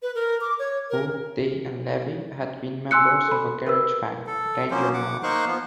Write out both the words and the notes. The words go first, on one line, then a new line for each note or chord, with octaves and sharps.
Both Day and Levi had been members of a garage band, Danger Mouse.
B4
A#4
D6
C#5
A#4
G#5 C6 E6 F#6 C#7
A4 B5
A#4 B4 E6
A4
F3 F#3 A#3 C#4 C5
F#5 D6
A#3 D#4 C5 F5 C#6 F#6
F3 B3